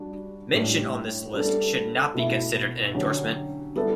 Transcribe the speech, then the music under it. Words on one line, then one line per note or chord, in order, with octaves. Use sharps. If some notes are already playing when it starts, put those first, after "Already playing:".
Mention on this list should not be considered an endorsement.
Already playing: G3 D4 F#4
A2 G3 D4 G4
G3 B3 D4 A4
B2 A3 E4
D3 F#3 C#4 G4
G3 B3 E4 A4